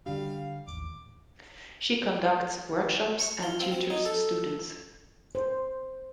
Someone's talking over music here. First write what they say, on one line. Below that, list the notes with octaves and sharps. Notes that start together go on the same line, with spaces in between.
She conducts workshops and tutors students.
D3 G3 D4 F5
A1 D#2 D6
C#6
F4
C4
C4
D#4
A4
C5